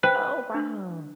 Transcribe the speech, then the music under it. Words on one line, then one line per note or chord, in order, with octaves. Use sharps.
Oh, wow.
B4 C5 G5
D4